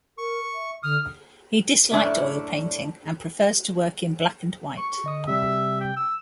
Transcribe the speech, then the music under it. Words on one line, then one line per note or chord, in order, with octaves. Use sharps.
He disliked oil painting and prefers to work in black and white.
A#4 C#6
E5
D3 D#6 F6
F#2 A2 C#4 D4 D5 E5
C#6
D3 D#5 D#6
C3 G3 E5
G5
E6